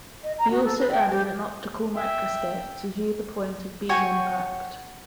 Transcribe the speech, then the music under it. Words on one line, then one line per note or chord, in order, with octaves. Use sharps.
He also added an optical microscope to view the point of beam impact.
D#5
A#5
F#4
A4
B4
G5
G4
E5 G5
F#4 C#5 G5 G#5